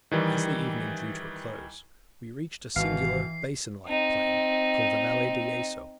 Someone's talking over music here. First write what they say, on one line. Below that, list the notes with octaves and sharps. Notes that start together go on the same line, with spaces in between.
As the evening drew to a close, we reached a singular basin-like plain, called the Valle del Yeso.
D#3 E3 G3
G#1 B2 E3 F5 C7
C4 D#4